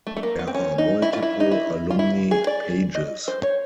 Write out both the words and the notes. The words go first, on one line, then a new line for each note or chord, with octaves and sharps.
There are multiple alumni pages.
A3
A3
A#3
B3
C4
C#4
D#4
E4
F4
E4
D#4
E4
F4
E4
G#4
D5
D#5
C5
C#5